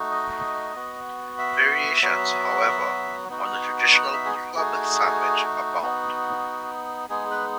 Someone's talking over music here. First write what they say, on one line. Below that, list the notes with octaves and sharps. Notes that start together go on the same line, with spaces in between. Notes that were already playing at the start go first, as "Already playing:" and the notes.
Variations, however, on the traditional club sandwich abound.
Already playing: A3 D#4 F#4
D#5
B3 F#4
E5
F#3 B3 F#4
B3 D#4 F#4
F#5
E5
G#4
F#4
A3 D#4 F#4 G#4
B3 D#4 F#4
G#3 B3 D#4 G#4
B4